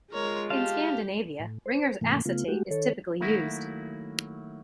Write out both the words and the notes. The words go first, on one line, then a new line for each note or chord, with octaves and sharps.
In Scandinavia Ringer's acetate is typically used.
G#3 F4 A#4 C#5
G4 F5 A5
A2
C5
G#2 C3 E3 A3 A#3
C#3 A3 B3 F4
G#3 A3 F#4 G4
D#3 A4 C#5
D#3 F#3 A3 A#3 E4 F#4